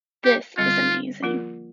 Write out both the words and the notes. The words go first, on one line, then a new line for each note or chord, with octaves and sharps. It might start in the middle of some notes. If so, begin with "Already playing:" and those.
This is amazing.
G4
D3 G3 C4 F4
F3 A#3 F4 A#4